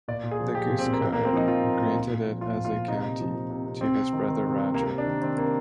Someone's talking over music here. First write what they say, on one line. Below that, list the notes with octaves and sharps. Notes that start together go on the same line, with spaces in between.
The Guiscard granted it as a county to his brother Roger.
A#2 D5
A#2
G#4
F3
F3 G4
A#2
C4
A#2
A#3
A#2 C4
A#3
A#2
C4
F3 D#4
F3 F4
A#2
A#2
A#2
A#2
F3
F3 F4
A#2
F4
A#2
C3 D#4
C3
F3
F3
C3
C3
C3 C4
C3
D#3
D#3
C3
C3
C3 A#3
C3
D4
D#3
D#3 C4
C3 A#3